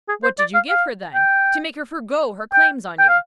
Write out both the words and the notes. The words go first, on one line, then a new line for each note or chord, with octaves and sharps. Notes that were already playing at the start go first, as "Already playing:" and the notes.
"What did you give her, then, to make her forego her claims on you?"
G#4
C5
D5
F5
F5
G5
G5
G5
F5